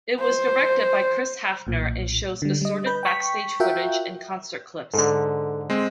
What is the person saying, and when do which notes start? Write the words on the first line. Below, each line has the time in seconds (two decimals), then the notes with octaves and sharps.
It was directed by Chris Hafner and shows assorted backstage footage and concert clips.
0.20 C5
1.67 B1 A#2
2.42 D3 G3
2.61 G3 D#5
2.86 B4 B5 G6
3.03 G5 C#6 B6
3.60 F4 F#4 A#4 E5 F#5 G5
4.94 G#2 D3 A4
5.70 G#3 C4